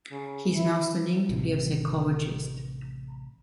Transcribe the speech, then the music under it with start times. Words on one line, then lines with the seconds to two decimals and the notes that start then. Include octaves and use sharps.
He is now studying to be a psychologist.
0.12 C#3
0.56 E4
1.29 A1 C3